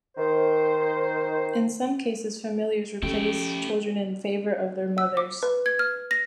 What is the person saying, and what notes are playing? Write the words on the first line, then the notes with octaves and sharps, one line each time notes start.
In some cases familiars replace children in the favour of their mothers.
D#3 C5
F3 A3 C#4 E4 G4 G5
E6
D6
B4
G#6
F6
A#6